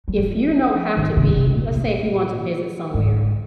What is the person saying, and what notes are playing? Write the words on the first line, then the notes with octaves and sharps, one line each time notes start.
if you don't have to be let's say if you want to visit somewhere,
F#3
F3
D#3
C#3
C3
A#2
A#2
G#2